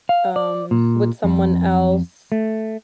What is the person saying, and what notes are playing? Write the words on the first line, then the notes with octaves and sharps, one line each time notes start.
um, with someone else,
F5
D5
A#2
F2
A3